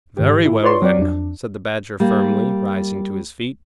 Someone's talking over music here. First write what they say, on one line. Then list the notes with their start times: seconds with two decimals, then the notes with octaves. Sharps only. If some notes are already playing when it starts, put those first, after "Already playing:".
'Very well, then,' said the Badger firmly, rising to his feet.
0.17 G#2 D#3 G4
0.45 E4
0.63 F4 B4 C#5 D5 C6 C#6
0.82 F#3 C4 D5
0.98 F2 D4
2.00 G3 A#3